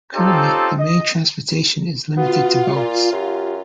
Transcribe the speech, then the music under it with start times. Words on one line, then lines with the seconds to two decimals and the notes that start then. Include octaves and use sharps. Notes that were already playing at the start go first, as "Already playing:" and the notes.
Currently, the main transportation is limited to boats.
0.15 C4 C#4 D#4 F4 G4 A4
0.78 D#5
2.17 B3 F4 F#4
2.75 A#2
3.12 F#2 G4